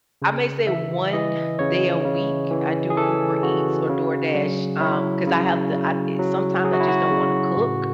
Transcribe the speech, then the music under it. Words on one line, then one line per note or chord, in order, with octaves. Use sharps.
I may say one day a week, I do Uber Eats or DoorDash, um, 'cause I have to I sometimes I just don't wanna cook
C#3
E3 E5
E3 D#5
C#3 C#5
C#3
E3
G#4
E3 A4
C#3 F#4
C#3
F#3
F#3 E4
C#3
C#3
F#3
F#3 G#4
F#4
E4
F#4
C#3
A2